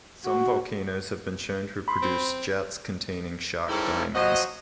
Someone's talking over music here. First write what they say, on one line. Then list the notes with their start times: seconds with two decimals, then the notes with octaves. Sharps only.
Some volcanoes have been shown to produce jets containing shock diamonds.
0.25 F#4
1.88 B5 C6
2.02 C4
3.68 G#2 C#3 G3 E4 A4 A#4
4.13 F3 F#3 F#4 D#5